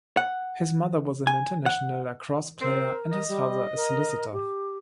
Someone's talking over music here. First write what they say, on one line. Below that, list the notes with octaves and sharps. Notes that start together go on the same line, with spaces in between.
His mother was an international lacrosse player and his father a solicitor.
F#5
G#5
F#5
C4 A#4
D#5
G3
A#4
G4